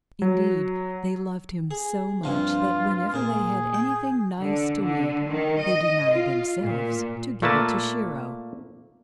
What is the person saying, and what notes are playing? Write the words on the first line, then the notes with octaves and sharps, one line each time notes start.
Indeed, they loved him so much that whenever they had anything nice to eat they denied themselves to give it to Shiro.
F#3
G#4
G2 C3 F3 F4
A#2 G#4 A#4
G5
D3
D3
D#3
D#5
F4
A#2
A#2 A3 A#3 B4 A5